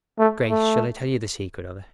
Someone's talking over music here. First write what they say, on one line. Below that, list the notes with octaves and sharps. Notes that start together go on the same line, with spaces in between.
Grace, shall I tell you the secret of it?
A3
A3